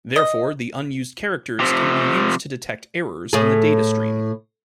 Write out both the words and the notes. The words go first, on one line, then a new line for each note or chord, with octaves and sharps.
Therefore, the unused characters can be used to detect errors in the data stream.
D#5
C3 F3
A2 G#4